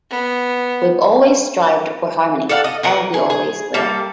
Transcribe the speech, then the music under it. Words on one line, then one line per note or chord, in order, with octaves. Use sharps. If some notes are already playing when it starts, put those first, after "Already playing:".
We've always strived for harmony, and we always will.
B3
A4 D5 F5 F#5
D#5
A#4 B4
G#4
G#4
G3 A#3 A4